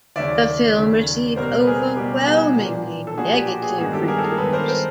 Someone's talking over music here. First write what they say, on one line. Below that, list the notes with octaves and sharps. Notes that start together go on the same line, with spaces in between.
The film received overwhelmingly negative reviews.
D#2 C#3 F#3 D5 E5
D#2 C#3 F#3
B2 G3 B3 A#4 C5
B4
G#4 A#4
B2 G3 B3 G4
F#4 G#4
A#2 F3 A#3 D4
A4
A#2 F3 A#3 D4 F#4 G#4
G4
F#4
F#4 G#4
G2 D#3 G#3 B3 F#4 G#4
G4 A4
G#4 A#4
A4
G#4 A#4
G2 D#3 G#3 B3 A4 B4
A#4 C5
A#4 C5